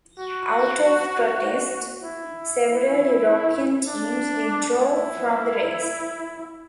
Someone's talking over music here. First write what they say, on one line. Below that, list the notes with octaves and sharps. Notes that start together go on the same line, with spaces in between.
Out of protest, several European teams withdrew from the race.
F#4
E4
D4
E4